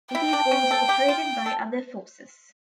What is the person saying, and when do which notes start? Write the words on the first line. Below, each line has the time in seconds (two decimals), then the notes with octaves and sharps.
It is also operated by other forces.
0.14 E4 G5
0.33 D4
0.51 C#4
0.71 A4
0.89 G4
1.08 F4
1.46 A4